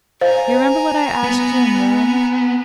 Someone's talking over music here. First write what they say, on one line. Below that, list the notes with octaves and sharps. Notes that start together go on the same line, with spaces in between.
Do you remember what I asked you in Rome?
C5 D#5 F5 G#5 A#5
B3